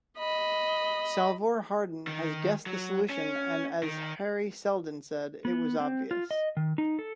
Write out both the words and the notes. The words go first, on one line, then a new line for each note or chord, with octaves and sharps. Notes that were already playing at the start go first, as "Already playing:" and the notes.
Salvor Hardin had guessed the solution, and as Hari Seldon said, it was obvious.
D#5 B5
D#3
F#3
C#4
D#3
B3
C4
F4
D#5
D#3
D#4
A4